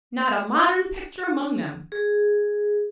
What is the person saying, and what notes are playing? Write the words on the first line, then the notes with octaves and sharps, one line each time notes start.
Not a modern picture among them.
G#4